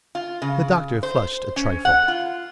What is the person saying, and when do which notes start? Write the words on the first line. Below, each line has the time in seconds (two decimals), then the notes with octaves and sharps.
The Doctor flushed a trifle.
0.15 F4
0.42 C#3
1.03 C5
1.56 C#4
1.85 F#5
2.08 F4